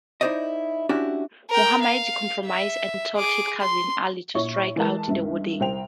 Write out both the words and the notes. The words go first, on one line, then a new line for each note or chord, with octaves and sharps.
Muhammad compromised, and told his cousin Ali to strike out the wording.
D#4 E4 G4 C5 D5 D#5
C#4 D4 E4 F#4 G4
A#4 G5
F5
E5
G#4 D6
C6
A#1 E4 C#5 C#6
E3 G#3 A#4 A5
C#2 G2 E5
C2 C5 G5 F7